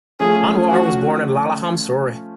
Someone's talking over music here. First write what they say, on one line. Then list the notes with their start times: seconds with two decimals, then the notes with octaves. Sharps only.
Anwar was born in Laleham, Surrey.
0.20 F3 A3 C#4 G#4
0.70 F#4